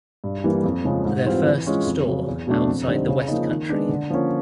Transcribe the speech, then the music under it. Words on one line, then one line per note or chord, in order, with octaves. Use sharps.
Their first store outside the west country.
G2
E3 G3 A#3
F2
C#3 F3 G#3
G#2
E3 G3 C4 F4
E3
G#3 C#4 F4
F2
C#3 F#3
E2
B2 F#3 A3 D4
F2
D3 G3 C4 D#4
C#3
F3 A#3 D#4
D#3
G#3 B3 D4
D3
F3 A#3 C#4